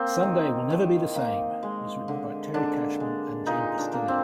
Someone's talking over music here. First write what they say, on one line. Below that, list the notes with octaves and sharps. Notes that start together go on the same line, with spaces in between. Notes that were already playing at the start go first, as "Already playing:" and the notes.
"Sunday Will Never Be the Same" was written by Terry Cashman and Gene Pistilli.
Already playing: A#3 C4
D#3
D#3
A#3
G#3
D3
D3 D4
G#3
A#2 D#4
D4
A#3
C4